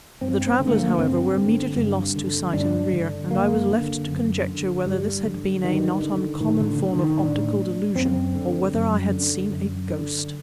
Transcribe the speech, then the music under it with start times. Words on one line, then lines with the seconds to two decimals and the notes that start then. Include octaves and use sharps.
The travellers, however, were immediately lost to sight in the rear, and I was left to conjecture whether this had been a not uncommon form of optical delusion or whether I had seen a ghost.
0.21 G2 C4
0.47 C4
0.60 D3
0.67 A3
0.74 A#3
0.98 G2 C4
1.37 D3
1.76 G2
2.16 D3
2.53 G2 D4
2.93 D3
3.31 F#2 A#3
3.70 D3
4.08 F#2
4.48 D3
4.86 G2 G3
5.25 D3
5.63 G2 D#3
6.02 D3
6.40 A2 D#3
6.60 D3
6.79 D3
6.99 D#3
7.18 A2 D4
7.95 F#2 C4
8.35 D3
8.73 F#2
9.11 D3
9.51 F#2
9.89 D3